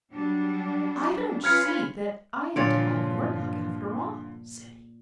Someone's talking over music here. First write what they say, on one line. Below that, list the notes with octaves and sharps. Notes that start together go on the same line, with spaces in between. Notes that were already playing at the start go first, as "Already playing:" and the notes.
"I don't see that I am to have your luck after all," said he.
F#3 G3 D4
C#4 F4 B4 F6 G#6 C#7
G2 A#2 D3 F3 F4 C#5 D5